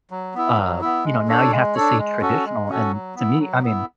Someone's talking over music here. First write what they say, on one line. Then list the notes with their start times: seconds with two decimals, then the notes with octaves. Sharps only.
uh, you know, now you have to say "traditional." And to me I mean,
0.11 F#3
0.34 B3 E4
0.58 F#3
0.81 B3 E4
1.05 G#3
1.28 D4 A4 C#5
1.51 G#3
1.75 D4 A4 C#5
1.98 G#3
2.21 C#4 F#4 A4
2.45 G#3
2.68 C#4 F#4 A4
2.91 F#3
3.15 B3 E4
3.39 F#3
3.62 B3 E4